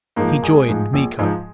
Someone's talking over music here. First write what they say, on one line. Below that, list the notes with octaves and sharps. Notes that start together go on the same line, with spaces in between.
He joined Miko.
G#2 F3 A#3
A#1 G#3
G#2 F3
A#1
G#2 F3